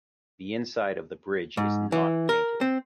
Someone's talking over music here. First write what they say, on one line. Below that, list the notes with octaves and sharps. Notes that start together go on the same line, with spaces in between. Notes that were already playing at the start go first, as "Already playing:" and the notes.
The inside of the bridge is not painted.
G#2
E3
A#4
C4